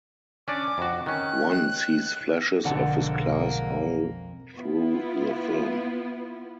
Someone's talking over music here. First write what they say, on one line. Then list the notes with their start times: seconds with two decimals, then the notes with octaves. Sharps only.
One sees flashes of his class all through the film.
0.48 C#4 D4 D5 D6
0.78 F2 F#4
1.06 D#3 C#4 F#6
2.65 B1 F2 G#2 D3 A#3 F#5 A5
4.55 B3 E4 F4